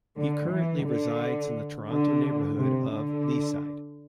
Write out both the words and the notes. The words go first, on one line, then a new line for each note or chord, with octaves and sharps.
He currently resides in the Toronto neighbourhood of Leaside.
D3
E3
D3
D3
C3
D3